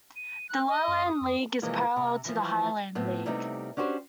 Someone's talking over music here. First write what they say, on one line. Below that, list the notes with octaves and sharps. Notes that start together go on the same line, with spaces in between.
The Lowland League is parallel to the Highland League.
D#7
F#6
D#5
F#2
D#6
F2
C3 E3 F3 G#3 A#3
C3
E3 F3
A2 B3 C4
C3 G3 A3 B3 C4 D#4
C#4 D4 F#4 G4 C5